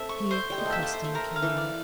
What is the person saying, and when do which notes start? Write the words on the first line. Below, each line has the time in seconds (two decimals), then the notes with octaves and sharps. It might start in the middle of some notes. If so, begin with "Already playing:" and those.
Here a customer came in.
Already playing: A3 C4 E5
0.09 C#6
0.31 C5
0.50 G3 G5
0.58 G#3
0.66 A3
0.72 A#3 E5
0.83 A3
0.93 C5
1.04 A3
1.15 A3 A#4
1.36 F5
1.42 E3
1.57 D5